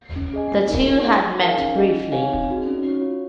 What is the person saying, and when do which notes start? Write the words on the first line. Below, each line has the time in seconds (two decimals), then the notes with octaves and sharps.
The two had met briefly.
0.16 C#4
0.34 G#4 D#5 G#5
0.52 A#3
0.69 D#4 A#4
0.87 F4
1.05 G#4 C5 F#5
1.23 D#4
1.40 A#4 F5 G#5
1.58 C#4
1.76 G#4 D#5 F#5
1.94 D#4
2.12 G#4 C#5 F5 G#5
2.30 C4
2.48 D#4 F#4
2.66 C#4
2.83 F#4 C#5
3.02 F4